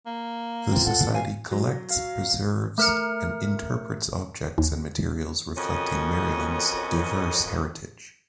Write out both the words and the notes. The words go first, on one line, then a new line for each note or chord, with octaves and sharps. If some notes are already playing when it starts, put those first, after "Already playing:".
The society collects, preserves, and interprets objects and materials reflecting Maryland's diverse heritage.
A#3
C4 F4
A4 F#5
D2 F5 G#5
F#3
F5
A3 A#4 F6 C#7
D#2
F2 C#4 F#4 A#4 D#5